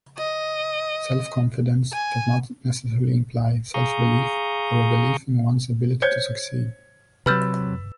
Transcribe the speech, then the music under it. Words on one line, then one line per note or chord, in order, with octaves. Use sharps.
Self-confidence does not necessarily imply "self-belief" or a belief in one's ability to succeed.
D#5
G#5
G#4 F5 A#5 C#6 D#6 G6
C5 C#5 G6 G#6 C#7
C3 F#3 B4 B5 E6 F6 G6 A6